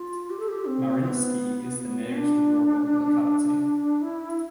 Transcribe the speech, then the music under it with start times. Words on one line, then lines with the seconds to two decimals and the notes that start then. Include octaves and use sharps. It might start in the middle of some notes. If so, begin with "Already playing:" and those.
Mariinsky is the nearest rural locality.
Already playing: F4
0.30 G4
0.39 A4
0.48 G4
0.66 C4
1.03 C4
1.07 B3
1.78 B3
2.15 D4
4.01 E4